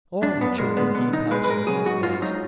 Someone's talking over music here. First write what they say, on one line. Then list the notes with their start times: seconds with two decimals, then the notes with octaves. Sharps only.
All the children keep house in these days.
0.22 F#2 D4
0.41 F#2 B3
0.58 G#3 A#3
0.77 D3 B3
0.95 B1 B3
1.13 B1 D#4
1.31 G#3 B4
1.44 B4
1.49 A#2 A#4
1.67 F#3 G#4
1.86 G#2 F#4
2.03 G#2 F4
2.22 F#3 D#4